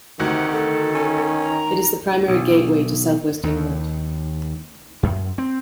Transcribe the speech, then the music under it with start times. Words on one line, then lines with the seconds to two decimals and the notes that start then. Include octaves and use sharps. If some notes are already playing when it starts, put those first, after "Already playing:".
It is the primary gateway to South West England.
0.20 D2 C3 D#3 F#4 F#5
0.52 A4
0.95 C#4
1.42 A#5
2.28 B1
3.43 D#2
5.03 F#2
5.38 C4